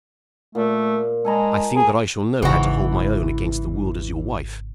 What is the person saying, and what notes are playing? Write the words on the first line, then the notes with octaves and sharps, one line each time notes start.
I think that I shall know how to hold my own against the world as your wife.
A#2 A3
G#3 A4 G#5 A#5
G#4
G#1 G#2 C#3 E3 F#4